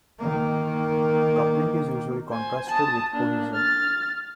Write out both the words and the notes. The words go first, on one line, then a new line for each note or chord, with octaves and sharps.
Coupling is usually contrasted with cohesion.
D#3 A#3
C5 G#5
A5 D#6
A#3 D4
F6 A6